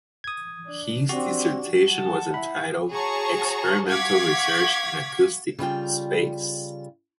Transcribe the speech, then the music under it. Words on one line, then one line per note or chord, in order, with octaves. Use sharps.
His dissertation was entitled "Experimental Research in Acoustic Space".
D#6 G#6
D4
C4 D4 F#4 G4
F#5 A5
E4 B5
F#4 G#4 C#5 A5 A#5 C#6
F5 F#5 C#6 D6 G#6 B6
C#3 G3 F4 G5